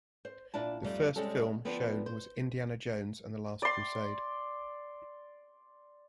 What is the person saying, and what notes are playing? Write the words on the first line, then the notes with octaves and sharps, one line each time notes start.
The first film shown was "Indiana Jones and the Last Crusade".
C5
A#2 D4 E4 A5
F2 G3 A3 D#4
C3 G3 G#3 C#4 A4
D3 F3 B3 C4
C5
D5 C6